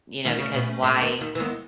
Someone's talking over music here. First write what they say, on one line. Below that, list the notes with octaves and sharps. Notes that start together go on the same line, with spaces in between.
You know, because why
D#2 D#3 A3 C#4
C#3
B2
A2
D#2 D#3
D#2 D#3
E3
D#2 D#3 G#3 B3